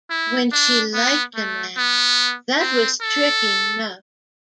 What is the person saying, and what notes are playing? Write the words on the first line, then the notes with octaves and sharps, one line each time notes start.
When she liked a man, that was trick enough.
E4
D4
B3
A3
B3
C4
A4